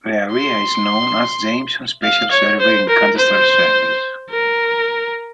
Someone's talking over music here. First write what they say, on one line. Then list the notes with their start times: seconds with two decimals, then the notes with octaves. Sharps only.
The area is known as Jamieson's Special Survey in cadastral surveys.
0.33 C6
2.03 F5
2.31 C#5
2.60 C5
2.89 A#4
3.17 C5
4.30 A#4